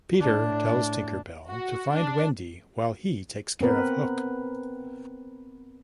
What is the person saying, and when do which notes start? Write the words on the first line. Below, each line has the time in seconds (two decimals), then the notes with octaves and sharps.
Peter tells Tinker Bell to find Wendy while he takes care of Hook.
0.19 A2 D4
1.48 F#4
1.90 D4
3.61 B3 C4 A#4 B4